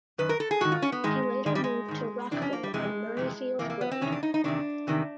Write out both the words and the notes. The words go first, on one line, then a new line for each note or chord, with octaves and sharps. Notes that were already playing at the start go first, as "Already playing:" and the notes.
He later moved to "Rockville" on Murrayfield Road.
F#2 D#3 B4
A#4
A4
G#4
G#2 D#3 F#4
F4
C#4
B3
G#2 D#3 G#3
G#2 D#3 G#3
G3
G#3
G#2 D#3
F2 C3 E3 D4
C#4
A#3
G3
F2 C3 E3 G#3
F2 C3 E3
F2 C3 E3 A#3
A#3
B3
C4
E2 C3 D#3 C#4
D4
D#4
D#4
E2 C3 D#3 D4
E2 C3 D#3